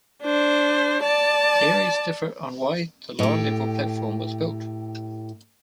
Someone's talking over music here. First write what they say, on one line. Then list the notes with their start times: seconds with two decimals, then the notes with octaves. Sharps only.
Theories differ on why the lower level platform was built.
0.23 D4 C5
1.03 D5 A5
3.19 A2 G4